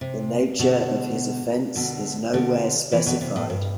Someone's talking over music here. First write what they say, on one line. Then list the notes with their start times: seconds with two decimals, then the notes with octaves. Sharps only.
The nature of his offence is nowhere specified.
0.01 C3
0.59 B2 D3
1.76 B2 D3
2.33 B2 D3
2.92 C3 E3
3.06 B2 D3
3.21 C3
3.36 A2
3.50 G2